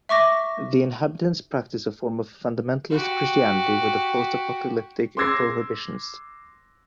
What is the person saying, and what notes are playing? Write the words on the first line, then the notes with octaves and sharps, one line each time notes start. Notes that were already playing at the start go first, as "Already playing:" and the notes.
The inhabitants practise a form of fundamentalist Christianity with post-apocalyptic prohibitions.
E5 C#6 D6 A#6
F#4 G4
C6 D6 E6 G#6 A#6 C7